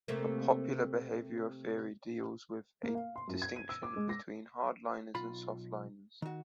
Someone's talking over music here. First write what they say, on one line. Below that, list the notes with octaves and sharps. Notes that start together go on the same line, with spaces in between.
A popular behavioral theory deals with a distinction between hard-liners and soft-liners.
C3 A3 A#3
A#3
F5
C6
F#2
G#6
D#7
E6
D6
G#3
A#6
B1 F4 B5
D#3 F#4